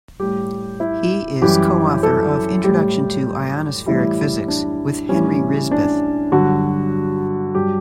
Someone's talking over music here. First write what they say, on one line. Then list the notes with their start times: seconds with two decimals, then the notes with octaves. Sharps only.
He is co-author of "Introduction to Ionospheric Physics" with Henry Rishbeth.
0.19 A2 G3 G4
0.80 E4
1.42 F#2 E3 G3 G4
2.03 A4
2.64 A2 G3 G4
3.86 A2 E3 G3 E4
4.48 D4
5.09 A2 E3 G3 C#4
5.71 D4
6.32 G2 D3 F#3 F#4
7.55 G2 F#3 G4